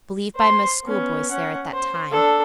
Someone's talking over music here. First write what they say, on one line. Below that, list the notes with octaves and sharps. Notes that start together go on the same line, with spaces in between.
Believed by most schoolboys there at that time.
C5 C6
B3 C#4
C#4 F#5
C5
D4 A4